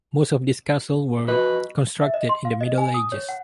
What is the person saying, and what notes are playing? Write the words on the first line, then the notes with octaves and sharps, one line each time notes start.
Most of these castles were constructed in the Middle Ages.
F2 F#4 B4 D#5
E5
D#5
C6
F5
D#5
G#5
D#6
C#5
F#5